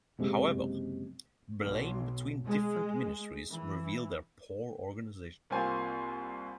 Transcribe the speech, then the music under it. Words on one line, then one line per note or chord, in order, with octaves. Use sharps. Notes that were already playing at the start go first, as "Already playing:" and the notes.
However, blame between different ministries reveals their poor organization.
F#1 C3 G#3
B1
G#3
E3
C2 A#3 C4 F4 C5 G#5